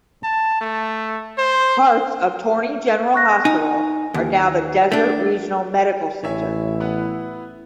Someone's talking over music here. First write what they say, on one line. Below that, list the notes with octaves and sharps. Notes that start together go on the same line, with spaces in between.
Parts of Torney General Hospital are now the Desert Regional Medical Center.
A5
A3
C5
C#6 F#6 A#6
D#4 G#5
D#2
A3 D4
A1 E4 C#5 E5 G#5
B3 B4 F#5